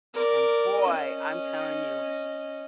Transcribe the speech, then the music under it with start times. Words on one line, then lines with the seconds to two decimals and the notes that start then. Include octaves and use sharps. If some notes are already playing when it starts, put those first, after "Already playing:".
And boy, I'm telling you,
0.14 A#4 D5
0.80 C#4 D#5